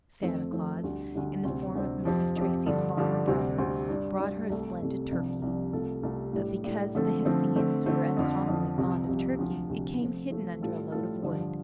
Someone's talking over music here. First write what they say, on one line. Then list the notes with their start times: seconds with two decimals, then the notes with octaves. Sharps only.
Santa Claus, in the form of Mrs. Tracy's farmer brother, brought her a splendid turkey; but because the Hessians were uncommonly fond of turkey, it came hidden under a load of wood.
0.22 F2 F3 A3 C4
0.53 F2 F3 A3 C4
0.83 D2 D3 G3
1.14 D2 D3 G3
1.45 D2 C3 G3 C4
1.75 D2 C3 G3 C4
2.05 F2 F3 C4 G4
2.36 F2 F3 C4 G4
2.66 G2 D3 F3 D4 A4
2.97 G2 D3 F3 D4 A4
3.28 D2 C3 G3 C4
3.58 D2 C3 G3 C4
3.89 G2 G3 D4
4.19 G2 G3 D4
4.50 C2 C3 A3
4.81 C2 C3 A3
5.11 C2 C3 F3 D4
5.42 C2 C3 F3 D4
5.72 C2 C3 A3 F4 A4
6.03 C2 C3 A3 F4 A4
6.33 A2 G3 D4
6.64 A2 G3 D4
6.95 D3 F3 A3 C4 A4
7.25 D3 F3 A3 C4 A4
7.56 D3 A3 C4
7.86 D3 A3 C4
8.17 F2 D3 F3
8.47 F2 D3 F3
8.77 C2 C3 F3
9.08 C2 C3 F3
9.38 D2 C3 F3
9.69 D2 C3 F3
10.01 F3 A3 C4
10.31 F3 A3 C4
10.61 A2 G3 F4 A4
10.92 A2 G3 F4 A4
11.22 G2 D3 F3